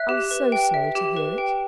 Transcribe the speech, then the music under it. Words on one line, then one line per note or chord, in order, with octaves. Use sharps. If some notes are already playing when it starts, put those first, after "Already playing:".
"I was so sorry to hear it."
Already playing: E5 F#6
G4
B4
G5
E5
G4
B4
G5